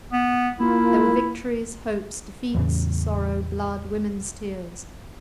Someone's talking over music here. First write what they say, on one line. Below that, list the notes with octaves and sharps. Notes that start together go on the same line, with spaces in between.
There were victories, hopes, defeats, sorrow, blood, women's tears . . .
B3
A#3 E4 F4
E2 A2 C#3